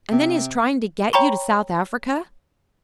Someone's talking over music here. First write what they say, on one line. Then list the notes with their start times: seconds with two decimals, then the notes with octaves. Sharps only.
And then his trying to get you to South Africa.
0.11 C3
1.13 C#5 G5 A#5 B5 C#6